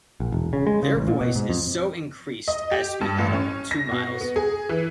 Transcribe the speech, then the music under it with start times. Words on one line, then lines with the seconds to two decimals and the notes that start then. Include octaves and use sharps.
Their voice is so increased as to be audible two miles.
0.20 A#1
0.32 E1
0.53 C#3
0.67 G#3
0.83 C#3
0.95 A1
1.08 A#2
1.21 B2
1.36 G#2
1.49 F2
2.48 D#5
2.71 G4
3.01 G2
3.19 A1
3.34 C#4
3.71 A#6
3.92 B2
4.21 B3
4.36 G#4
4.69 E3